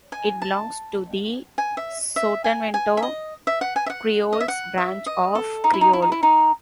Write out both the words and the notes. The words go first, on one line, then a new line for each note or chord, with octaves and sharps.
It belongs to the Sotavento Creoles branch of Creole.
G#5
A5
G#5
E5
E5
G#5
G#5
E5
D#5
E5
F#5
G#5
E5
F#5
D#5
E5
F#5
E5
D#5
A4
D#4
E4
D#4
E4
D#4
E4
D#4